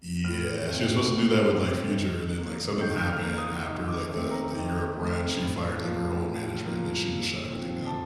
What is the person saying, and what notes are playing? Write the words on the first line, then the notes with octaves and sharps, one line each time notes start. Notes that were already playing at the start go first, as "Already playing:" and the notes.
Yeah she was supposed to do that with, like, Future, and then, like, something happened after, like, the the Europe run, she fired, like, her whole management, and then she just shut everything down.
A2 F6
A3 C4
A2
A3 C4
D#3
A#3
D#3 G6
G6
F6
A#3
D#6
D#3 D#6
D6
A3 C4
A#5
D#3 G5
A3 C4
A2
F3 A#3
A2
F3 A#3
A#2
F3 C4
A5